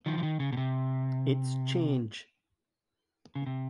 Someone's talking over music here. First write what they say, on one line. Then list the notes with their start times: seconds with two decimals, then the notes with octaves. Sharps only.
It’s change.
0.06 D#3 F3
0.18 E3
0.23 D#3
0.40 C#3
0.52 B2
0.57 C3
3.35 C#3
3.46 C3